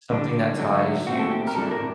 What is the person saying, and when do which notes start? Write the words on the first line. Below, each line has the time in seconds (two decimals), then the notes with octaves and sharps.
something that ties you to
0.11 D3 G3 D4
0.58 D3 F#3 A3
1.07 A#2 A3 C4 F#4
1.19 A4
1.31 G4
1.47 A#4
1.55 C3 G3 D4 A4
1.71 A#4